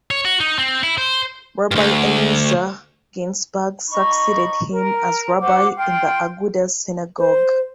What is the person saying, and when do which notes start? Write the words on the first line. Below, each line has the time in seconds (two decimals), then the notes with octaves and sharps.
Rabbi Eliezer Ginsburg succeeded him as rabbi in the Agudah synagogue.
0.11 C#5
0.25 F#4
0.40 D#4
0.59 C4
0.83 E4
0.98 C5
1.71 D2 G2
3.90 D#4 B5 C#6
4.71 A#4
5.41 F#4 C5 F#5 D6
5.75 F4 G5 C6
7.19 C5